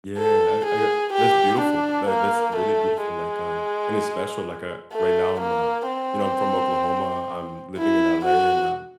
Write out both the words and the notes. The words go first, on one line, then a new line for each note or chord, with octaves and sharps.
Yeah, I I that's beautiful that that's really beautiful, like, um, and it's special, like, uh, right now, I'm a you know, I'm from Oklahoma. I'm living in LA and, um,
A4
G#4
G4
D4
A#3
A3
G#3
A3
A#3
C4
E4
F#4